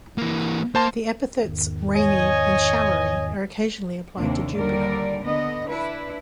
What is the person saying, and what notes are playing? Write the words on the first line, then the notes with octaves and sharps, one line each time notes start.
The epithets Rainy and Showery are occasionally applied to Jupiter.
E3 A#3
A#3 C5 A5 C6
E2 G#2 D#3
C#5 D#5 G#5
D#2 C3 A#3 D4
D#2 D3 G3 A#4 D5
D3 B3 D#5
D4 E4 B4